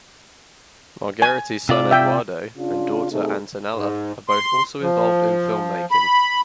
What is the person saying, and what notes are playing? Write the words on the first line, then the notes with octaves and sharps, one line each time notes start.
Margheriti's son Edoardo and daughter Antonella are both also involved in filmmaking.
G#5
C3 F4 D5
E5 G5
C#3 D4 F4
C3 A3 D#4 G#4
G#2
C6
F3
B5